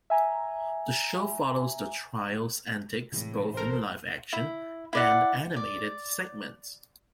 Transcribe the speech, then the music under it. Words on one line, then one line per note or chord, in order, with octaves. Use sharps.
The show follows the trio's antics both in live-action and animated segments.
E5 G#5 A#5
A2 C3 E3 G#3
A1 A4 A#4 C5
E4
E4 D5 F#5
D5